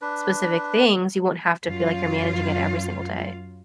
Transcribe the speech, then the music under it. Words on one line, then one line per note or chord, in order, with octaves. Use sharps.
specific things, you won't have to feel like you're managing it every single day.
D4 B4
F#2 F#3 F4 F5